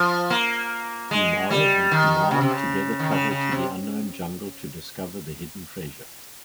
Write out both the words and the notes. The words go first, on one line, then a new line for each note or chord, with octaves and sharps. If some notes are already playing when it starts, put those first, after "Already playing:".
Bimal and Kumar together travel to the unknown jungle to discover the hidden treasure.
Already playing: F3
A#3
G#3
G3
D#3
C#3
C3
C#3
D#3
C#3
C#3
C3